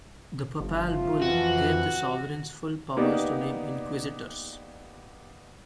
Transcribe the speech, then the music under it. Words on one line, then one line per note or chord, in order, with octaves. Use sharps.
The papal bull gave the sovereigns full powers to name inquisitors.
G1 F3 A3 F4
F2 E3 F#4
A#3 B3 D#4 G4 D5